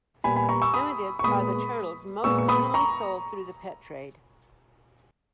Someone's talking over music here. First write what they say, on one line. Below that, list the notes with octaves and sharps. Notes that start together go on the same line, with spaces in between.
Emydids are the turtles most commonly sold through the pet trade.
A#2 G3 B3 G#5 B5
G#5 B5
A#5 C#6
C#6 E6
B5 D#6
C#6
A#2 G#3 B3 B5 D#6
A#2 G#3 B3 C#6 E6
C#6
B5 D#6
A#5 C#6